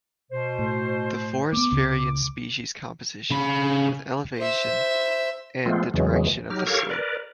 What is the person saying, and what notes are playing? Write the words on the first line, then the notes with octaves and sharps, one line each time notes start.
The forests vary in species composition with elevation and the direction of the slope.
B2 C5
A2
A#3 B3 D6
C#2 C#3
C#3 B5
C5 E5
F3 G#3 A3 B3 C4 F4
E2 C#3 E3 F#3 G#3
F#3 D#4 G4 F6
G4 A4 A#4 C#5 F5 C#6
A#4 B4 D5